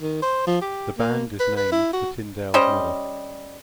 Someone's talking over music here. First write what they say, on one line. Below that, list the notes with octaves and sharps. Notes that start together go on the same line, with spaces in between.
The band is named for Tindale's mother.
D#3
C5
F3
G4
A#3
B4
B4
E4
F#4
G3 C#4 C5 D#5